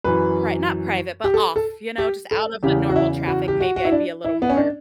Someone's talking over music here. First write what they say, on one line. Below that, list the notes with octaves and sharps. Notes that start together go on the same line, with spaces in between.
pri not private, but, off, you know, just out of the normal traffic, maybe I'd be a little more
F#2 E3 B4
G4
A4
A4
G4
A4
E2 C#3 E3 G4
F#4
E4
F#4
G4
F#4
F#4
E4
D4
E4
B3
C#4
D4